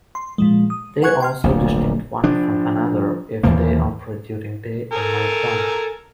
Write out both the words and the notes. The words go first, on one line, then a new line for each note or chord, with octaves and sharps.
They also distinct one from another if they operate during day or night time.
C6
A#2 F3 G#3
D#6
B4 F#5 G#5 C#6 F#6 G#6
G5 C6 F6
D1 A#1
F3 D4
D#2 E3 F3 A#3
A4 A#4 G#5